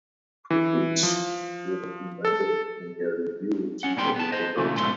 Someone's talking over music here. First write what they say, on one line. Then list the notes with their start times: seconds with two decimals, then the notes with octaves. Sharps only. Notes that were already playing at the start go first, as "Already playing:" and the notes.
Critics were divided in their reviews of the production.
0.50 E3
1.03 F3
2.25 A4
3.83 C#4 F#5
3.97 A#2 G3 B3 D#4 G5 C6
4.16 B3 A5
4.32 C5 D#5
4.57 A#2 C#3 E3 A3
4.77 G#2 B2 A3 C6